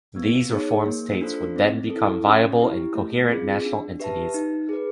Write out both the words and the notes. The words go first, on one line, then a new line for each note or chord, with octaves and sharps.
These reformed states would then become viable and coherent national entities.
B3
D#4 G#4 C#5
A#3
D4 F4 A4 C5
C4
A4
E4
C#4
E4 G4
A3
C4 F4 G#4
D4
G4 B4 E5 A5
D#4
G#4 B4